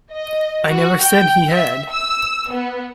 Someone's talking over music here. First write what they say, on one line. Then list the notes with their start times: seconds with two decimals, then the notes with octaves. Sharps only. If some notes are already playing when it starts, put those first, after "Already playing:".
I never said he had.
0.11 D#5
0.67 F#4
1.02 G5
1.53 E5
1.91 E6
2.53 B3